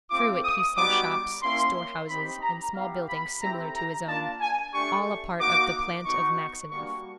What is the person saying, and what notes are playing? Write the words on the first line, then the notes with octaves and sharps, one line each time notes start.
Through it he saw shops, store-houses, and small buildings similar to his own, all a part of the plant of Maxineff.
A3 C4 F4 D6
D#6
G3 B3 D#4 F#4 D6
A#3 C#4 E4 C6
C4 D#4 G4 B5
A#5
B3 E4 G4 F5
B5
A3 C4 E4 G4 A#5
A#5
A#3 D4 F4 A5
G#5
A3 D4 G4 C#6
A#3 D#4 F#4 D6
B3 D#4 F#4 C#6
G3 A#3 D4 F#4 C#6